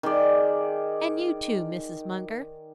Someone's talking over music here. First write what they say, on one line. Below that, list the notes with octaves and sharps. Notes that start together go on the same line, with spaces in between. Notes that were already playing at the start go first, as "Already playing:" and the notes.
And you too, Mrs. Munger.
D#3 G#4 D5